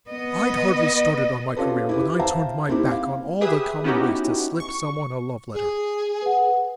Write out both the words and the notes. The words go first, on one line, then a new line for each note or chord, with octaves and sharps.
I'd hardly started on my career when I turned my back on all the common ways to slip someone a love letter.
B3 D#5
C#4 F4 G4 A4 B4
E4 G4 B4
C5 E5 F5 G5 A5 A#5
A#3 C4 D#4 E4 G4
F5
G4 G#4 B4 E5 D#6
B3 C#4 D#4 E4 F#4 G4
C#6
G#4
B4 F#5